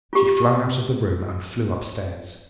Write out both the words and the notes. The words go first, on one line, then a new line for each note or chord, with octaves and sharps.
She flung out of the room and flew upstairs.
F4 G4